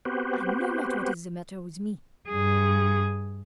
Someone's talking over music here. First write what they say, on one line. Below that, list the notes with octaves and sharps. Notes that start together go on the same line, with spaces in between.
I know not what is the matter with me.
B3 C4 F#4 G4 B4 C5
G2 G#4